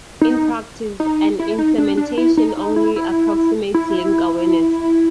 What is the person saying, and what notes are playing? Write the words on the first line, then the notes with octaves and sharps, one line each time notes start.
In practice, an implementation only approximates link awareness.
D#4
D#4
E4
D#4
D4
D4
E4
D#4
D#4
E4
E4
E4